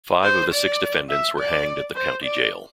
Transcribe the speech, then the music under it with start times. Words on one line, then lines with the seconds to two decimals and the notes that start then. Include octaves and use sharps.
Five of the six defendants were hanged at the county jail.
0.23 C5
0.52 D5
1.09 E5
1.39 D5
1.95 C5
2.24 D5